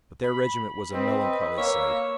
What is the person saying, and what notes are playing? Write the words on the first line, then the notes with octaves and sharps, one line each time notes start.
But their regiment was a melancholy sight.
B5
C4 B4 D#5
A#3 C#5 E6